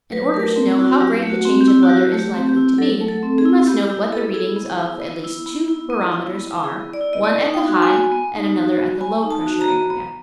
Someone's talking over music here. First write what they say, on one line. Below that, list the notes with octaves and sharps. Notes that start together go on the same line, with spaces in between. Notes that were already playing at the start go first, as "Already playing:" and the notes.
In order to know how great the change of weather is likely to be, we must know what the readings of at least two barometers are--one at the high- and another at the low-pressure area.
F#3 B4
A3 A#4
C4
E4 F#4
F#3 G4
A3
F#4
C4
G4
E4
F#4
F#3 G4
A3
G4
C4
G4
E4
F#3 A4
A3
A4
C4
G#4
E4
B3 G4
E4 G4
B3 A4
E4 G#4
B3
E4
B3
E4
B3
E4
B3
E4
B3
E4
G#4
B3
D5
E4
D#5
B3 D5
D#4
G5
F#4
G#5
B3
B3
D#4
F#4
B3
B3 G#5
D#4
A5
F#4
A#5
B3
B3